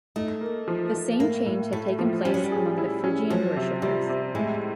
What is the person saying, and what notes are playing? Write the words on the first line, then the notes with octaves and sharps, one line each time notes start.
The same change had taken place among the Phrygian worshipers.
A3 D#4
A#3
F3
F3
A2 A#3
A2
A2 A3
F3
G3 C#4
F#3
G3
G#4
E4
C#4
F3 F#3
C3
C3 G3
C3
A2 G#3